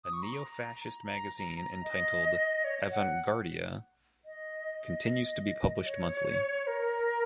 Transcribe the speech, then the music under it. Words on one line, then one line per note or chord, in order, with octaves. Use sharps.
A neofascist magazine entitled "Avanguardia" continues to be published monthly.
D#6
C#6
A#5
A#5
D#5
C#5
F#5
D#5
C#5
A#4